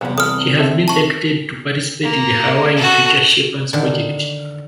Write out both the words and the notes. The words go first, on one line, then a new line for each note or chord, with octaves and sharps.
She has been selected to participate in the Huawei Future Shapers Project.
E2 C3 F#3 G3 B3
E3 G3 A4 D#6 F6
C4 A4 E5
A5 C#6
A#3
F#4 A4
D3 D#3